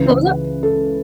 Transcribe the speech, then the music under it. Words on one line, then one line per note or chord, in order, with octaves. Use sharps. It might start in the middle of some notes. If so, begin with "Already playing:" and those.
What was that?
Already playing: C#2 C#3 E3 B4
A4